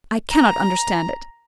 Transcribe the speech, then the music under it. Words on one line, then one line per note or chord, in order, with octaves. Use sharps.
I cannot understand it.
A#5